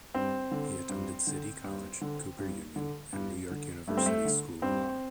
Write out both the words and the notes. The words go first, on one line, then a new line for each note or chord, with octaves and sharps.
He attended City College, Cooper Union, and New York University School of Law.
G2 C4
D3
G2
D3
G2
D3
G2
D3
G2
D3
G2 A3
C4
A3
D3
G2 C4